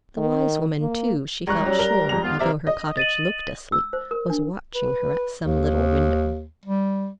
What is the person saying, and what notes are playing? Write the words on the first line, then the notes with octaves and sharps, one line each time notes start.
The wise woman, too, she felt sure, although her cottage looked asleep, was watching her at some little window.
D#3
A#3
C#2 G3 A#5 C#6 F#6
F#3 C#4 G4
A#4 G7
F2 G#2 F7
D#2 B3 F4
C3 G3 A#3 D5 E5 A#5
D#5
A6 D#7 F#7
E6
C5
A#4
D4
B4
D#2
G3